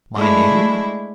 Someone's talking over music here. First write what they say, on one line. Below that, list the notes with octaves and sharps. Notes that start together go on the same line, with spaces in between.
"My name?"
G#3 A3 D4 E4